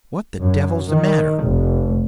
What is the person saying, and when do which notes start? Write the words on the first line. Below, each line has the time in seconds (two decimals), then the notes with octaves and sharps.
What the devil's the matter?
0.42 F#2
0.91 D#3
1.43 F1